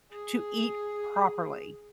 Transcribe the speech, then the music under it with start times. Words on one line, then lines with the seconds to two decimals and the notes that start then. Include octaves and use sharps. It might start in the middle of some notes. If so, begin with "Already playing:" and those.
to eat properly.
0.11 G#4